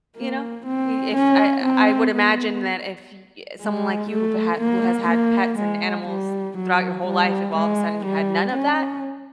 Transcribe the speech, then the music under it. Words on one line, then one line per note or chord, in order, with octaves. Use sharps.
you know? Y if I I would imagine that if y eh, someone like you, who who has had pets and animals, throughout your whole life, if all of a sudden you had none of that,
A#3
C4
C#4
C4
B3
G#3
A3
A#3
A#3
G#3
G3
F#3
G3
G#3
G3
C#4